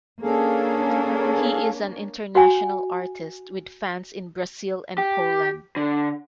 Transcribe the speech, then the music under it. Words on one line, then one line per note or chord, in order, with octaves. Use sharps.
He is an international artist with fans in Brasil and Poland.
A#3 C#4 D4 G#4 A4 F5
F#4 F#5 G#5
G4
D3